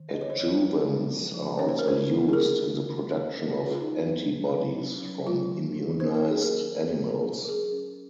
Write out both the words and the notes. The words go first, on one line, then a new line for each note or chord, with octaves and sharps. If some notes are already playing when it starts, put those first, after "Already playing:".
Adjuvants are also used in the production of antibodies from immunized animals.
Already playing: D#3
C#4 D#5
C#5
C5
F#3 C#5
D#3
G#3
F3
F3
C#4 C#5
C5
A#4
G#3 C5
F3
G#4
A#3 A#4
D#3
D#3
C#4
A#3
A#4
G#4
D#3 F#4
F4
C#4 D#4
F#3
C#4
F#3
C#4
F#3
F#3 F4
D#3
D#3
C#4 C5
A#4
F#3 G#4
A#4
D#3
C#4
F#3
C#4
A#4
F#3 G#4
C#4